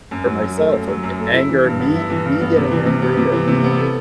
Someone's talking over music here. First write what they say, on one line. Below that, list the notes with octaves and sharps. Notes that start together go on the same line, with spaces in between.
for myself, like, a anger me eh me getting angry, or me
F#2
F#3
F#2
A3
F#2
F#3
F#2
A3
E4
E3
G2
B3
E4
E3
G2
B3
C3
E3
C3
B3
C3
E3
C3
B3
A4